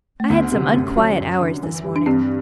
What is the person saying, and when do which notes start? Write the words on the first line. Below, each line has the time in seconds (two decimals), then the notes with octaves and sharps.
I had some unquiet hours this morning.'
0.20 A3
0.30 D2 B3
0.52 C3
0.74 F#2
0.97 F#3
1.19 F#2
1.41 D3
1.63 E3
1.84 G3
1.96 D4
2.06 G2 C4